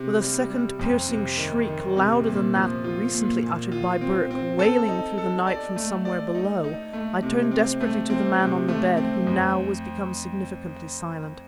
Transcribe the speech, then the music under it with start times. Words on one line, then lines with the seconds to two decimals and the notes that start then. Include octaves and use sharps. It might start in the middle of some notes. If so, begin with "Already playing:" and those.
With a second piercing shriek, louder than that recently uttered by Burke, wailing through the night from somewhere below, I turned desperately to the man on the bed, who now was become significantly silent.
Already playing: C3
0.21 G3
0.50 G3
0.79 F2
1.08 C3
1.37 D#3
1.67 D#3
1.97 C3
2.26 A#2
2.55 F3
2.84 F4
3.13 A#2
3.42 A#2
3.72 F4
4.01 C4
4.31 C4
4.59 A4
4.88 D#4
5.18 A4
5.47 D5
5.76 A3
6.05 D5
6.35 D#4
6.64 D#4
6.93 A3
7.22 C3
7.51 C4
7.81 A3
8.10 C4
8.40 C3
8.68 A3
8.97 C4
9.27 F2